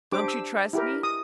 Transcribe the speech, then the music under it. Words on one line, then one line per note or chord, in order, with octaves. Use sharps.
Don't you trust me?
D4 G4 C5 D6
E6
E4 G4 A#4
D#6